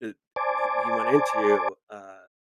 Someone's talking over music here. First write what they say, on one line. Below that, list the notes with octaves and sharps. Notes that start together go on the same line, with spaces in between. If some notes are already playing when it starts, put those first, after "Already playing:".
that he he went into, uh,
C5 D5 G#5 A5 D6